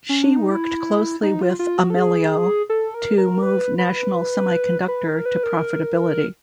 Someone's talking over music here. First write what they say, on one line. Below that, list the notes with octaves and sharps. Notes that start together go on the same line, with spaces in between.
She worked closely with Amelio to move National Semiconductor to profitability.
C#4
D4
D#4
E4
D#4
F4
F4
F#4
A4
G#4
A4
A#4
A#4
B4
B4
B4
A#4
B4
A#4